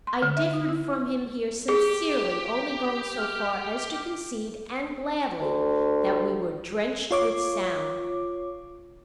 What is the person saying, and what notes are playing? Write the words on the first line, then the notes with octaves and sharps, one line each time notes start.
I differed from him here sincerely, only going so far as to concede, and gladly, that we were drenched with sound.
C6
D3
E5
D#4
E4
G4 G#4
F6
D2
F4 C#5 D6